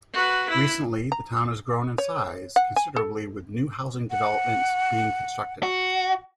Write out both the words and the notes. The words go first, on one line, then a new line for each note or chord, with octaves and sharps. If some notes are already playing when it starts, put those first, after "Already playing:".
Recently, the town has grown in size considerably with new housing developments being constructed.
F#4 B4
E4
A#5
C#5
F#5
G#5
A4
F#5
F#4